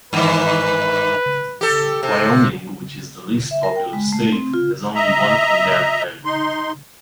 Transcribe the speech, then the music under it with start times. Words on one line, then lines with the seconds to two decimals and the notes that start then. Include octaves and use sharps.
Wyoming, which is the least populous state, has only one condemned man.
0.13 G2 D#3 E3 B4
1.61 G4 A4
2.03 C3 A4
3.51 E5
3.63 A#4
3.76 G5
3.93 G#3
4.13 A3
4.32 C4
4.54 F4
4.95 D#5 E5 A#5
6.25 D#4 C6